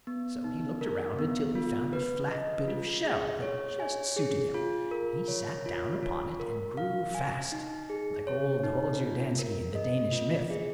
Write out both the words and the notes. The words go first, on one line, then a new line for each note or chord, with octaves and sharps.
So he looked around until he found a flat bit of shell that just suited him, when he sat down upon it, and grew fast, like old Holger Danske, in the Danish myth.
B3
D#4
A#4
B3
F4
B4
D#5
F4
G#4
C#5
G#5
G#4
F4
A#4
C#5
F4
F4
A#4
F5
G#5
D#4
G#4
C#5
D#4
F4
A#4
D#5
F4
G#4